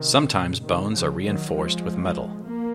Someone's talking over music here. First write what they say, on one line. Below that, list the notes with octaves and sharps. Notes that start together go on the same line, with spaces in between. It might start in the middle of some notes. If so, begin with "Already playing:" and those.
Sometimes bones are reinforced with metal.
Already playing: C3 D#3
A#2 C#3
C3 D#3
C#3 F3
D#3 F#3
F3 G#3
A#3